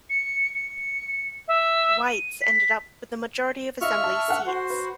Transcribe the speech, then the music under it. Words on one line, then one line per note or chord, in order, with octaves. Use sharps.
Whites ended up with the majority of Assembly seats.
C#7
C#7
E5
D#7
B6
F4 D#5 E5 C#6 F6
A5
A4 F#5
F#4 C5
B4